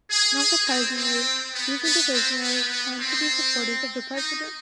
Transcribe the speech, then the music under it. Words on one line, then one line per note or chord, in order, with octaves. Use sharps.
Not surprisingly, these individuals tend to be supporters of the president.
G#4
G#4
C4
C4
B3
B3
C4
B3
B3
C4
D#4